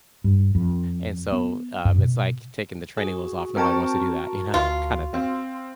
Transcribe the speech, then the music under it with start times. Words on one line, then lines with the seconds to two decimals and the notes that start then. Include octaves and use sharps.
and so, um, it's like taking the training wheels off, nobody wants to do that, you know, kinda thing,
0.24 G2
0.55 F2
1.32 B3
1.85 F#2
1.98 B2
2.98 F#4 G#4
3.57 C4 A#4 G5 A5 C#6
4.54 D2 F4
5.14 C4 F5